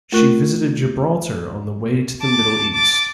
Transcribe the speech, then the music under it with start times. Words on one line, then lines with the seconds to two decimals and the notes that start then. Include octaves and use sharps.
She visited Gibraltar on the way to the Middle East.
0.12 A3 F4 A#4 C#6 F#6
2.22 A5 D6
2.74 D6 A6